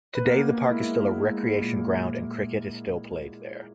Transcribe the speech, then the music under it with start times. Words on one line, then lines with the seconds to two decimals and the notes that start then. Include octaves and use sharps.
Today the park is still a recreation ground and cricket is still played there.
0.15 B4
0.25 A#3 B3 A#4
0.70 G#3 E4
1.15 G#3
1.60 A#2